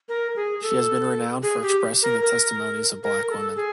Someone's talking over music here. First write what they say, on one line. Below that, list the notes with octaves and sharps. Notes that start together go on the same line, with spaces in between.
She has been renowned for expressing the testimonies of black women.
A#4
G#4
A4
G#4
G4
A#4
A#4
A#4
A4
G#4